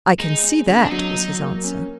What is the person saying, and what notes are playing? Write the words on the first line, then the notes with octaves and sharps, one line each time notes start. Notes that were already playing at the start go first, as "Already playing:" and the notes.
"I can see that," was his answer.
G#3 D#4
G#3
D3
D4
F#3 D#4
F#3
A#3
C#4